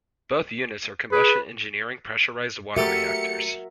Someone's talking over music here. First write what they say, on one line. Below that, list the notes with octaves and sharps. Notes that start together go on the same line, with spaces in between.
Both units are Combustion Engineering pressurized water reactors.
G#4 B4
A3 F#4 G4 A4 A#4 E5 C#7